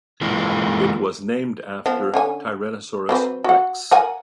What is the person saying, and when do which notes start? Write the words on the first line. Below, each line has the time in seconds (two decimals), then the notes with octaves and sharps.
It was named after "Tyrannosaurus rex".
0.21 E3 G#3 A#3 F4
1.86 F3 B3
2.14 D3 C#4 G#5
3.09 F#3 C4 B4
3.44 F#4 F#5
3.91 A#4 F#5 G#5